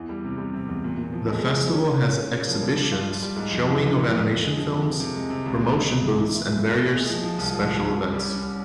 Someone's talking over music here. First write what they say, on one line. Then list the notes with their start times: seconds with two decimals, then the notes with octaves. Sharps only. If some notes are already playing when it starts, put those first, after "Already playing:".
The festival has exhibitions, showing of animation films, promotion booths and various special events.
Already playing: E2 E3
0.09 G3
0.24 C3
0.38 G3
0.54 C3
0.69 E2
0.84 A#2
0.98 A#2
1.13 F3
1.29 G#3
1.42 G#3
1.58 F3
1.73 C#4
1.88 A#3
2.02 C#4
2.18 A#3
2.32 C#3
2.47 F3
2.63 G3
2.77 G3
2.92 F4
3.07 F4
3.22 G3
3.36 G#2
3.51 F2
3.67 E3
3.82 F2
3.97 A#3
4.12 F2
4.25 A#3
4.41 G#3
4.56 F3
4.70 C3
4.85 C3
5.00 C3
5.16 G#3
5.30 C3
5.46 C#2
5.61 C#2
5.74 C#2
5.90 C3
6.05 E3
6.19 A#2
6.34 E4
6.49 A#2
6.65 A#2
6.80 A#2
6.95 G#3
7.09 F3
7.24 F3
7.38 C2
7.54 F3
7.69 C2
7.83 C2
7.98 G3
8.13 G3
8.28 C#4
8.42 G3